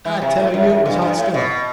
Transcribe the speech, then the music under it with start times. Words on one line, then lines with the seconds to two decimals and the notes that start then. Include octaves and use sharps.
I tell you it was hot stuff.
0.05 E3
0.22 C3
0.38 A2
0.54 F#2
0.70 F#2
0.86 G2
1.02 G2
1.17 A2
1.34 B2